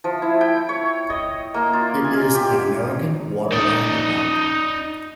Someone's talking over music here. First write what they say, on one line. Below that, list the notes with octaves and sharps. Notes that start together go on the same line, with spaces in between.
It is an American Water Landmark.
F3
E4
G5
C#5
D#5
A#3
F4
G#5
G4
D#4 D5